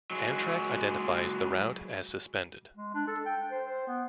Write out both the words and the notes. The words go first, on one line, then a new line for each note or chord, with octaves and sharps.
Amtrak identifies the route as suspended.
F#3 G#3
G#3
D4
A4
G5
C5
C5
B3